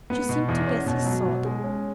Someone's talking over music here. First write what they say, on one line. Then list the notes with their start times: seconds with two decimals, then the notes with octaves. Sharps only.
She seemed to guess his thought.
0.10 B3
0.29 B2
0.48 E2
0.67 C#4
0.86 B2
1.06 F#3
1.25 B2
1.45 G#3
1.64 C#4